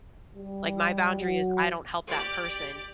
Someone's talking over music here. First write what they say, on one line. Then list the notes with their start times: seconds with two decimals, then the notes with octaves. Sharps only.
Like, my boundary is I don't help that person,
0.35 G3
1.20 F#3
2.10 G4 D5